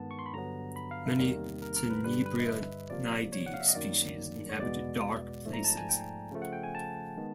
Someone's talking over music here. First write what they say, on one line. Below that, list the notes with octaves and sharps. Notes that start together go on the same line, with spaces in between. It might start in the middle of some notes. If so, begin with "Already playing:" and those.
Many Tenebrionidae species inhabit dark places.
Already playing: G2 D#3 G#3 B3 A5
C#6
C6
B5
G2 D3 F#3 B3 A#5
B5
F5
E5
E2 C3 D#3 G3 A#3 A#4
A#4
A#4
B4
G2 D3 G3 B4
B4
D#5
E5
C3 F3 A#3 D5
C#5
F#5
F5
E5
D#5
F#2 D#3 F#3 A#3 D5
C#5
E2 B2 G#3 B3 D5
G#2 F3 A3
A#5
A5
G#5
G5
C#3 F3 A3
F#5
G5
G#5
A5
D#3 G#3 B3